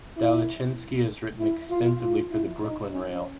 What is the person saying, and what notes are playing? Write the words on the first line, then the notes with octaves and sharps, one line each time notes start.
Dalachinsky has written extensively for the Brooklyn Rail.
E4
E4
F4
F4
E4
D#4
C#4